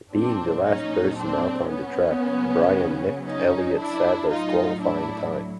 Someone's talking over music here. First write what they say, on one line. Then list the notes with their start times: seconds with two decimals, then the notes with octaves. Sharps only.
Being the last person out on the track, Brian nipped Elliott Sadler's qualifying time.
0.14 A#2 F#3 C4 D4
0.66 C#4 D#4
1.18 C4 D4
1.70 B3 C#4
2.22 C#3 F#3
3.26 C#4 D#4
3.78 D4 E4
4.30 A2 F#3 D#4 F4
4.82 D4 E4